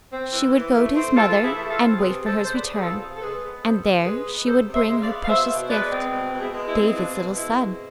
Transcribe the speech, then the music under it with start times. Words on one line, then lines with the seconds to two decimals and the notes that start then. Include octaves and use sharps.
She would go to his mother and wait for his return, and there she would bring her precious gift--David's little son.
0.12 C4
0.33 E3
0.53 E3
0.74 A3
0.95 C4
1.15 E3 F4 A4
1.36 E3
1.43 E4 G#4
1.56 A3
1.70 F4 A4
1.78 C4
1.97 C3 G#4 B4
2.18 C3
2.25 A4 C5
2.39 G#3 C5
2.52 B4 D5
2.60 B3
2.74 G#4
2.81 C3 F4 A4
3.01 C3
3.16 A4
3.22 G#3 G#4 B4
3.43 B3
3.63 C3 A4 C5
3.84 C3
4.04 G#3 G#4 B4
4.25 B3
4.46 C3 A4 C5
4.67 C3
4.73 C5 E5
4.88 G#3
5.01 D5 F5
5.08 B3
5.23 F5
5.29 B2 C5 E5
5.50 B2
5.70 G#3 B4 D5
5.91 C4
6.12 B2
6.32 B2
6.39 E4 G#4
6.53 G#3
6.67 E4
6.73 C4
6.94 B2 D4 F4
7.15 B2
7.36 G#3 E4
7.56 C4